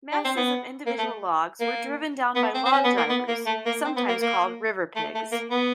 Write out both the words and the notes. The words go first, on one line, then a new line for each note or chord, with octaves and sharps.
Masses of individual logs were driven down by log drivers, sometimes called river pigs.
D4
C4
B3
A#3
A3
A#3
B3
C4
C4
C#4
B3
A#3
B3
A#3
A3
A#3
C4
B3
A#3
A#3
A3
A3
A#3
B3